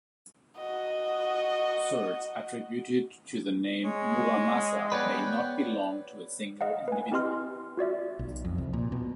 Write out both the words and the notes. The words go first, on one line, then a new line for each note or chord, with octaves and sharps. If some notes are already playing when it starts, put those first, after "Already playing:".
Swords attributed to the name Muramasa may not belong to a single individual.
F#4 D#5
G#3 C#5
B3 B4 C#5 D5 F#5 G5
D#5 F5 F#5
B4 G#5
C4 E4 G4 D#5 C6 F6
F4 F#4 D5 E5
B1
F2
C2
A#2
B2